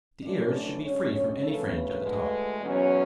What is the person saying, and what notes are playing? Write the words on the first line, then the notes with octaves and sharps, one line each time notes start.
The ears should be free from any fringe at the top.
F#2 E3 A3 D4 D5
F#2 D3 G#3 C#4 C#5
D2 C#3 E3 A4
B4
D2 D3 G#3
E2 B2 F#3 C#4